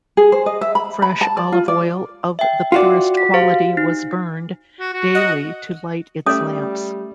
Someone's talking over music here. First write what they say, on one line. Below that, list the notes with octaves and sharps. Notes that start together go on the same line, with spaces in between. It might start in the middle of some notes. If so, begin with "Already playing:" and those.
Fresh olive oil of the purest quality was burned daily to light its lamps.
G#4
C5
D#5
E5
B5
B5
A5
D5
F4
D5
E5 G5
F4 F#4 D5
B6
G4 C5 F5
D#4
F#4
F#4
D#5 F#5
G3 A3 C#4 D5 E5 D#6